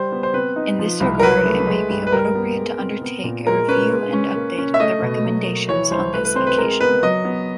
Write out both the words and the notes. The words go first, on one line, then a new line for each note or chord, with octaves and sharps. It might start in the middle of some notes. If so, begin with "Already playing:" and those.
In this regard, it may be appropriate to undertake a review and update of the recommendations on this occasion.
Already playing: G3 C5
B3
C5
C4 B4
D#4
F3
C2
A#4
F#3 B4
A3
G#3
G2
B4
G3 A#4
B3
G#3
C4
B3
A#2
G#3 A#4
C#4 B4
G#3
C#4
A#3
C#4
E5
A3 D#5
B2
F#3
A#3
E3 C#5
C2 C5
A3 B4
B4
C4 C5
B4
G#3 A#4
B3 B4
F#3 D#5
B3